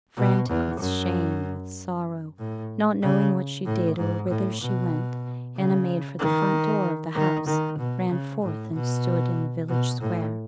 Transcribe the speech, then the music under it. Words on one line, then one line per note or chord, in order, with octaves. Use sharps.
Frantic with shame, with sorrow, not knowing what she did, or whither she went, Anna made for the front door of the house, ran forth and stood in the village square.
B2
E2
F#2
A2
C#3
A2
G#2
A2
B2
C#3
D#3
D#3
D#3
B2
C#3
A2
B2
B2
A2